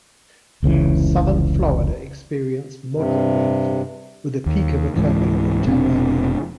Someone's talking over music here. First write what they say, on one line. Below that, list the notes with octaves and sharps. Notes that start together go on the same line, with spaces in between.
Southern Florida experienced moderate rainfall, with a peak of occurring in Tavernier.
F1 C#2 C#3 E3
G2 C3
D#2
C#2 G#2 E3
F1 B2 C4 D4